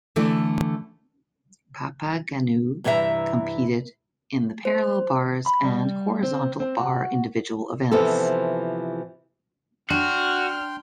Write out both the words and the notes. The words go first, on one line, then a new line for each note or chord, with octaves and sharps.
Papaigannou competed in the parallel bars and horizontal bar individual events.
D3 E3 A3 E4 D5
G2 C3 E3 F#4 E5 A#5
C5
B5
G3
C4
C4
F#4
C3 E3 F3 B3 A4
D4 F#4 G5 C6 F6